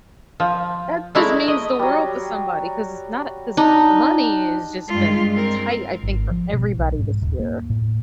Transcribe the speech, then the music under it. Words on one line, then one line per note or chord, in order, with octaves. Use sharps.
that just means the world to somebody 'cause it's not a 'cause money has just been tight, I think, for everybody this year,
F3
G#3 A3 E4 D5 A#5
D#5
F#3 G3
D4 D#4
G2 G#3 F4
C4 A#4
G#1
F3
B2
B1
G#2
D#1
A#3
A2